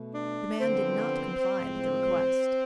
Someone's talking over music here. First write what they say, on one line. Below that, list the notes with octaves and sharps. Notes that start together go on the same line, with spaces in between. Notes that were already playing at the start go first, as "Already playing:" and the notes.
The man did not comply with the request.
Already playing: B2 A3
D4
D3 F3 B3 C4
A2 F3 G#3